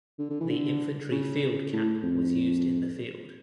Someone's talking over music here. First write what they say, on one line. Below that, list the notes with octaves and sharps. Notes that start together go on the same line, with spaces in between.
The infantry field cap was used in the field.
D3
D3
E3
D3
C#3
A2
F2